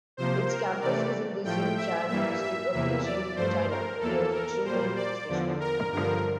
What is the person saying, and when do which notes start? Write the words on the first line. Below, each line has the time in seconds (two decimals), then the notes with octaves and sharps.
Its campus is in the Xicheng District of Beijing, China, near Fuxingmen Station.
0.17 C3 F3 A#3 C5
0.49 A#4
0.81 C3 E3 A3 D5
1.44 A2 F3 A3 G5
1.77 E5
2.08 G2 E3 G3 A#3 E5
2.41 E5
2.72 E2 C3 E3 A#3 E5
3.04 D5
3.36 G2 F3 A3 C5
3.69 A#4
4.00 E2 E3 A#3 A4
4.32 A#4
4.65 A#2 G3 A#3 C5
4.96 D5
5.28 E2 D3 F3
5.60 A#4
5.92 G2 D3 F3 A#4